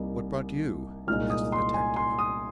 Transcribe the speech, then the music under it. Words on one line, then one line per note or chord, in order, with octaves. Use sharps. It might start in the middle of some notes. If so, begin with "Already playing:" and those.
"What brought you?" asked the detective.
Already playing: C2 C3 G3 A#3 D#4
C2 A#2 G#3 D#4 F6
D#6
C6
G#5
C6
D#6